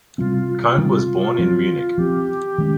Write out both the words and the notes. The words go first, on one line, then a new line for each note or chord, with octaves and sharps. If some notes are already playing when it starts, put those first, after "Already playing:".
Kohn was born in Munich.
C3 G3 C4 F4
F4
F4
C3 G3 C4 F4
F3 C4
F3 C4 G4
D#3 G#3 C#4